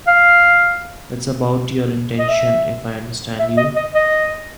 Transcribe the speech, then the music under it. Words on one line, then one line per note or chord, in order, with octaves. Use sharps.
That's about your intention, if I understand you?
F5
D#5
E5
E5
D#5
D#5
D#5